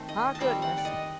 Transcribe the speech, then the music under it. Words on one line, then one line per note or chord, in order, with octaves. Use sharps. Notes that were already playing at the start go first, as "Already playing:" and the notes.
Ah, goodness.
Already playing: D#3 A3 C4
D#5
A5
D#3 G3 C4 G5
F#5
D5
D#5